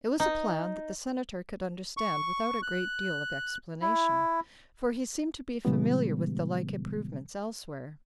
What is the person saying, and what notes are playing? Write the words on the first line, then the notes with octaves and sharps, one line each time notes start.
It was a plan that the Senator could understand without a great deal of explanation, for he seemed to be familiar with the like improvements elsewhere.
D#4
C#6
F#6
E4
A#2 C#3 E3 G3 G#3 B3